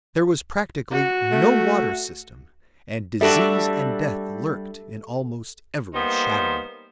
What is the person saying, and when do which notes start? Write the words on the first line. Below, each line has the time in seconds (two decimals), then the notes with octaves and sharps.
There was practically no water system and disease and death lurked in almost every shadow.
0.91 F#4
1.31 A3
3.21 G3 D4 F#4 G4 A4 E5
5.94 G3 A#3 B3 D#4 C5